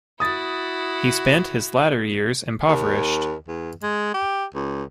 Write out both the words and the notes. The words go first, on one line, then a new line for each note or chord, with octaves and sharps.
He spent his later years impoverished.
E4 F#4 D#6 A6
D#2
E2
G#3
G4
C#2